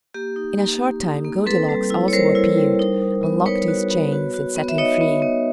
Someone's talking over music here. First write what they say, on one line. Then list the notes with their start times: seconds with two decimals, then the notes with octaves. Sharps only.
In a short time Goldilocks also appeared, unlocked his chains, and set him free.
0.14 A#3 G4
0.36 D#4
0.58 A#3
0.81 A#3
1.03 D#4
1.24 A#3
1.46 C4 A4 B4
1.69 G3
1.90 E4
2.08 C#5
2.13 G3 A#4 C5
2.35 E4
2.57 G3
2.79 D#4
3.02 D#4
3.23 B3
3.46 D#4 B4 C#5
3.68 F#4
3.91 B3
4.12 F#4
4.34 F#4
4.56 B3
4.69 E5
4.78 D#4 C#5 D#5
5.01 B3
5.22 B3